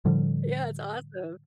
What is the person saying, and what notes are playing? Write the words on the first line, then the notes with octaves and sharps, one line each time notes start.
Yeah, it's awesome.
A2 D3 F3 G3